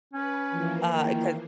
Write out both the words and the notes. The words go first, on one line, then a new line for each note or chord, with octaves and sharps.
uh, 'cause
C#4 B4
E3 F3 A#3
D#3